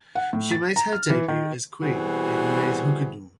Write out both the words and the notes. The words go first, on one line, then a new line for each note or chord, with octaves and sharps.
She made her debut as queen in "Les Huguenots".
F#5
A2
A6
A#5
F6
E3
D#3
B2 E3 G3 C4 F#4 G#4